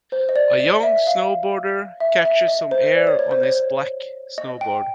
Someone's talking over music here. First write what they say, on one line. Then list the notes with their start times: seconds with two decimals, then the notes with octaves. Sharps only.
A young snowboarder catches some air on his black snowboard.
0.12 C5
0.29 D#5
0.36 D5
0.60 D#5
0.83 E5
1.07 F5
2.00 E5
2.25 E5
2.48 D#5
2.71 C5
2.95 D5
3.07 C#5
3.19 C#5
3.31 C5
3.43 C#5
4.38 D#5
4.61 G5